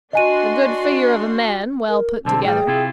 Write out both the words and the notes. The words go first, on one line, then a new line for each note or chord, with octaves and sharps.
A good figure of a man; well put together.
D4 F#4 D#5 G#5 C6 D#7
A#4
B1 D3 C4 A5
A2 G3 G#4 G5
C3 E4 F4